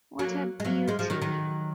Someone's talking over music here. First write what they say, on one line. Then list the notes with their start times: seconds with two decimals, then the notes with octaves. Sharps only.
What a beauty!
0.19 F#3 A#3
0.60 G#3
0.65 F#3 A#3
0.88 F3 G#3
0.99 F3 G#3
1.10 D#3 F#3
1.22 D#3 F#3